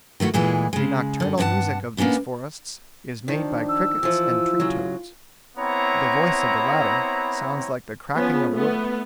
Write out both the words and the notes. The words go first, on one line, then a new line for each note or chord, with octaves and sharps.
The nocturnal music of these forests is made by crickets and tree-toads. The voice of the latter sounds like the cracking of wood.
D#3 A3 E4 F#4
D2 A#2 E3 G#3 E4 G#4
C#3 G#3
F#2 D3
G2 C3 B4 F#5 A5
A#3 B3 C#4 D4 E4
D#3 F3 D4
E6
E3 F3 F4
C#3 F#3
B3 C4 E4 C#5 A#5
F3 B3 C#4 G#4
A3 B3